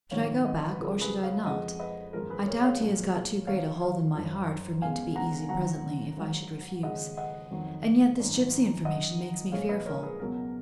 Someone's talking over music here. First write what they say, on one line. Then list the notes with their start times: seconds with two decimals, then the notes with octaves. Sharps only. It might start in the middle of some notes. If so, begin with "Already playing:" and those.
Should I go back, or should I not?--I doubt he has got too great hold in my heart, for me to be easy presently, if I should refuse: And yet this gipsy information makes me fearful.
0.11 A#1 G#2 D#3 F#3 C#5 F5
0.45 D#5 F#5
0.71 B4
0.79 F2 C#3 F3 G#3 A#4
1.01 G#4 B4
1.23 C#5 F5
1.46 F2 F3 G#3 D#5 F#5
1.80 B4 D#5
2.13 G#1 F#2 F3 G#3 A#4
2.30 G#4 B4
2.47 A#4 C#5
2.64 C#5 F5
2.80 B1 A#2 G#3
3.47 D#2 D#3 F#3 C#5 F5
3.81 C#5 F5
4.15 F#1 F#2 F3
4.82 C#2 B2 G#3 F5 G#5
5.15 F#5 A#5
5.49 D#2 D#3 F#3 F#5 A#5
6.16 G#1 G#2 F#3
6.83 D#2 C#3 F3 G#3 D#5 F#5
7.17 D#5 F#5
7.51 F2 D#3 F#3
8.18 G#1 F#2 D#3
8.85 F#1 F#2 D#3 D#5 F#5
9.52 A#1 A#2 G#3 C#5 F5
9.69 B4 D#5
9.86 A#4 C#5
10.03 G#4 B4
10.20 C#2 B2 F#3 A#4